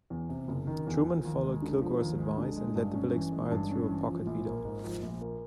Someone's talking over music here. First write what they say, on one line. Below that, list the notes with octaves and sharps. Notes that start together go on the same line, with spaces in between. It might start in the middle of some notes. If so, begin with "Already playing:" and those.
Truman followed Kilgore's advice and let the bill expire through a pocket veto.
E2
C3
F#1
D#3
E2
F3
D#2
G#3
D3
F3
D#2
G#3
D3
G#3
G2
C#4
E3
G#3
G2
C#4
E3
F3
A#1
A#3
G#2
F3
A#1
A#3